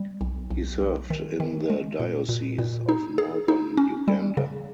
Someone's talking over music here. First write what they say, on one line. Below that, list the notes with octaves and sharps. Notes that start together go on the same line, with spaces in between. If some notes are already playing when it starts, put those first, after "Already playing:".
He served in the Diocese of Northern Uganda.
Already playing: G3
B1
B1
B1
D#3
D#3
G#3
A#2
A#2
A#2
D#4
G#4
D#4
C#4
G3
C#3